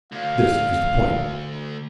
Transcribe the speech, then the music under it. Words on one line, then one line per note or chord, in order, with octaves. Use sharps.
This is the point.
D2 F5